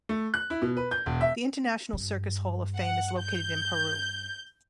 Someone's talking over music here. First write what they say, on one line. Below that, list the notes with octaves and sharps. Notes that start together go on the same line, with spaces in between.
The International Circus Hall of Fame is located in Peru.
A3
F#6
E4
B2
B4
G6
E1
E5
G2
F#5
G6